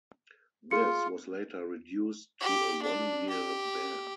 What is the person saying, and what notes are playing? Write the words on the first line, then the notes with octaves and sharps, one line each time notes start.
This was later reduced to a one-year ban.
F4 G#4 C#7
G4
D4
G4